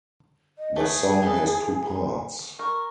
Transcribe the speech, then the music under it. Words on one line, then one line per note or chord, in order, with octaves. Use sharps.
The song has two parts.
D#5
A3 G#4 B4 G#5
E3 A4
A#4 C#6